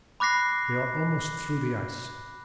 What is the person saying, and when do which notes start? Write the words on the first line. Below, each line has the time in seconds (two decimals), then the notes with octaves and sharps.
We are almost through the ice.
0.20 B5 D6 F#6 A#6 C7